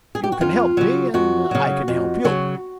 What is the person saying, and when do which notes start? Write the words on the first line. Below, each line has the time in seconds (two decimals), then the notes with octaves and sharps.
You can help me and I can help you.
0.15 G#4
0.24 G4
0.32 F#4
0.41 F2 F4
0.77 C#3 F#3
1.14 F2 F#4
1.51 C#3 F#3
1.88 F2
2.24 C#3 F#3